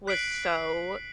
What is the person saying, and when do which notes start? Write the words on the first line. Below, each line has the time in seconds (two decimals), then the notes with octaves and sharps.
was so
0.07 F#6 B6 C7 D7 F#7